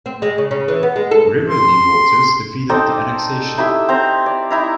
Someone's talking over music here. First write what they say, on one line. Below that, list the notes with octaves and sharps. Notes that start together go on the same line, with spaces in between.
Riverlea voters defeated the annexation.
C4
G#3
C#3
C#3
E3
B3
G#3
A4
C6
C4 D#4 A4 D5
D#4 E4 G4 E5
C4 A#5
D5
D#4 E4 A#5